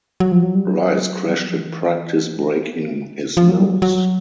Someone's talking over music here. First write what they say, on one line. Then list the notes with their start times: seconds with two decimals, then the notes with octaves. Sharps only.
Rice crashed in practice breaking his nose.
0.20 F#3
0.32 F3
0.43 F#3
0.55 G3
0.66 F#3
1.29 G3
1.38 F#3
1.48 F3
1.56 E3
3.37 F3
3.49 F#3
3.59 G3
3.70 F#3
3.82 F#3